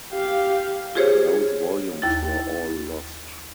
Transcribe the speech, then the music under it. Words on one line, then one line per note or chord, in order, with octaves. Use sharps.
Those volumes were all lost.
G4 F5
F4 G4 G#4 C5 C#5
D#2 E4 A6